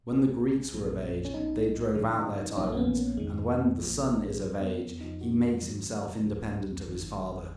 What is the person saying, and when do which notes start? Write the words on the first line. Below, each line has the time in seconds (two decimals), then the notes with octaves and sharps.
When the Greeks were of age, they drove out their tyrants, and, when the son is of age, he makes himself independent of his father.
0.12 B1 B2 G#4
0.73 A#1 A#2 F3
1.25 C#4
1.34 B1 B2 D#4
1.95 D#2 C#3 F3
2.52 D#4
2.56 A#1 A#2 F3 C#4
2.72 A#3
2.77 B3
2.97 A#3
3.17 F2 D#3 G#3
3.78 A#1 A#2 F3
4.40 F2 C#3 F3
4.60 B3
4.80 B3
5.01 F2 F3 D#4
5.21 F#4
5.42 F4
5.62 D#2 D#3 F#3
6.23 C#2 C#3 F3
6.84 G#1 F#2 D#3